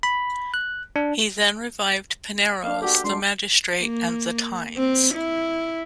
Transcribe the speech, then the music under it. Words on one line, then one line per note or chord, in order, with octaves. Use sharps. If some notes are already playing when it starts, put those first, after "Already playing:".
He then revived Pinero's "The Magistrate" and "The Times".
B5
F#6
D4
A#3 D4 F5
A#3 F#4 G4 A4
G#3 D4 C6
A#3
C4
E4